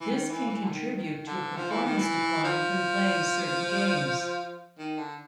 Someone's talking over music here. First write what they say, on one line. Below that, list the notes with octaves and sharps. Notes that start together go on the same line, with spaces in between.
This can contribute to a performance decline when playing certain games.
E3
D#3
E3
E3
D3
D#3
D#3
D3
F3
E3
D#3
E3
F3
D#3
D3